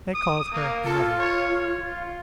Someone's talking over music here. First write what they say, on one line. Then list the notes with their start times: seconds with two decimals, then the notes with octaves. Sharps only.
They called her "mother."
0.14 D#6
0.52 A#3
0.85 F4 A4
1.19 C#5
1.81 F4